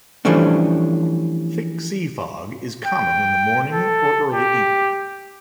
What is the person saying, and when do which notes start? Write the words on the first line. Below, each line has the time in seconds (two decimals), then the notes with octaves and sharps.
Thick sea fog is common in the morning or early evening.
0.25 E3 F3 G3 A3 C#4 D4
2.86 G5
3.72 A4
4.32 G4